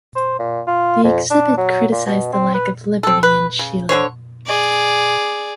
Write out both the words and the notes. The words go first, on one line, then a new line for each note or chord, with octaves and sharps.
The exhibit criticized the lack of liberty in Chile.
C5
A#2
F4
F2
D4
F#3
A#2
B2
C4
B4
C4 A4
B4
C#3
D3 G#4 C5 C#5
G#4 D5